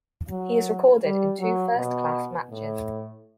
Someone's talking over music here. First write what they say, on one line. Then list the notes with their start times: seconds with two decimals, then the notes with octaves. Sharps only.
He is recorded in two first-class matches.
0.30 F#3
1.03 G3
1.40 F#3
1.77 B2
2.51 A2